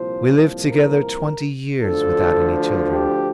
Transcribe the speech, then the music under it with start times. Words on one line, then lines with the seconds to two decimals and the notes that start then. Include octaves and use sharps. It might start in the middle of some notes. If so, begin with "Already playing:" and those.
We lived together twenty years, without any children.
Already playing: C2 A#2 F3 C5
0.70 A#4
1.81 D2 D3 F3 A4
2.91 G4